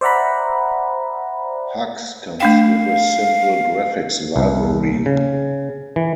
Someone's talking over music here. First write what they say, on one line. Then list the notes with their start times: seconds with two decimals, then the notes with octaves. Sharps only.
Hugs comes with a simple graphics library.
0.01 C5 D5 E5 F#5 A#5 B5
2.40 A3 D4 F5 G5
4.36 C2
5.06 C#3
5.96 E3